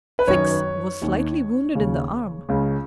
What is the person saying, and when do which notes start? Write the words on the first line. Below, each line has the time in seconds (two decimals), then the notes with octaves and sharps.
Fix was slightly wounded in the arm.
0.19 B4
0.27 F#2 D#3 C#5
1.02 D#2 D#3
1.75 D#2 C#3
2.49 C#2 C#3